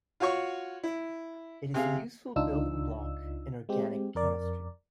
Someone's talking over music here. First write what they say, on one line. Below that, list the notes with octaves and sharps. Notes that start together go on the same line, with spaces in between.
It is a useful building block in organic chemistry.
F4 F#4 C#5 C#6
E4
C3 G#4 F5
C#2 D4 D#4 F4 E6
G#3 C4 G4
F2 A#4 D5